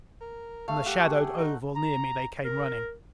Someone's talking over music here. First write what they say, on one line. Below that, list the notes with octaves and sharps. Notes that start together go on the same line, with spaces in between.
From the shadowed oval near me they came running.
A#4
A3 F5
G4 F#5
G#4
D#4
A#5
A#4